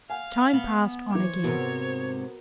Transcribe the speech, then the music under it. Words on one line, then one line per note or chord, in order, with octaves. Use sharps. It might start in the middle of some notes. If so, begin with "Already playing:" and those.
Time passed on again.
F5 F#5 G#5
B3
E3 C#5 D6
C5
G#2 C3 B3 F#4 A#4